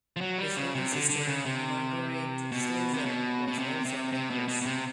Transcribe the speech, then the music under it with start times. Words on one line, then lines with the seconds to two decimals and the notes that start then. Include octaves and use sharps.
His older sister Margarete Slezak was also an actress.
0.16 F3
0.21 F#3
0.38 G3
0.57 C#3
0.75 C3
0.92 D3
1.10 D3
1.27 C#3
1.45 C3
2.52 B2
2.94 C3
3.06 B2
3.48 B2
3.59 C3
3.85 C3
4.13 C3
4.30 B2
4.48 B2
4.62 B2
4.66 C3